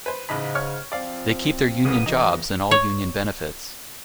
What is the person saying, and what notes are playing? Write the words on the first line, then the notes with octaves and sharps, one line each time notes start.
They keep their union jobs and all union benefits.
B4 C5
A1 G#2 C#3 D#4 B5
C#5 C#6 F6
F3 C4 D5 F5
C2 C#3 A#3 B3 D#6
D2 E3 D#4
C#5